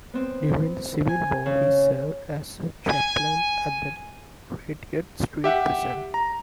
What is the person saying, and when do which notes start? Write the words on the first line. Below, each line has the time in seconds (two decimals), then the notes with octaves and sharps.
During the Civil War, he served as a chaplain at the Gratiot Street Prison.
0.14 B3 C4
1.09 G#5
1.46 C#3
2.90 G#5
5.44 G4 E5 F#5
6.14 A#5